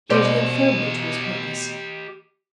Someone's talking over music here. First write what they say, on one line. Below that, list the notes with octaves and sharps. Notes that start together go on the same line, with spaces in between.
He adhered firmly to his purpose.
B2 G4 C5 D5 D#5